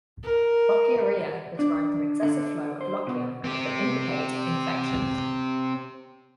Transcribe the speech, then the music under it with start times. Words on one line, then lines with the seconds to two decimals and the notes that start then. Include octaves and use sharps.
Lochiorrhea describes an excessive flow of lochia and can indicate infection.
0.23 A#4
1.59 D4
2.22 D3
2.81 C5
3.07 B2
3.44 C4 G4